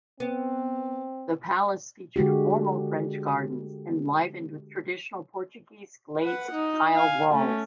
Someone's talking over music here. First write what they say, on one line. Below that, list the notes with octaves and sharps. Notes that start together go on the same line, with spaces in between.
The palace featured formal French gardens enlivened with traditional Portuguese glazed tile walls.
B3 C4
D3 G#3 F#4 G4
B4 F#5
D#4
F5 G#5
A3 C#4